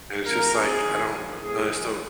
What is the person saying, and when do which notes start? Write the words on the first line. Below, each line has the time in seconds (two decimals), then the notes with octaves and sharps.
and it's just like, I don't I just don't
0.25 F2 F3 A#4
0.53 F2 F3 G#4
0.82 G#1 G#2 D#3
1.11 A#1 A#2 F3
1.40 C2 A#2 F3 G#4
1.69 F2 D#3 G#4